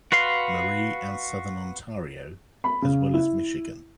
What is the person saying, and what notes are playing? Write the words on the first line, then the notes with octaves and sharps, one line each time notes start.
Marie and southern Ontario, as well as Michigan.
F#4 B4 F5 C6
B5
C#3
E4